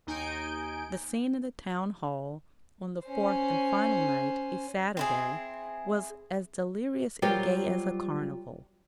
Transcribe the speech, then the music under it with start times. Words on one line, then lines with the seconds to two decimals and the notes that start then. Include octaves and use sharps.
The scene in the town-hall, on the fourth and final night, a Saturday, was as delirious and gay as a carnival.
0.07 D#2 D#4 G#5 G6 D7
3.06 C#4 C5
4.97 C4 E4 G#4
7.22 F#3 G3 F4 G4 A#4 C5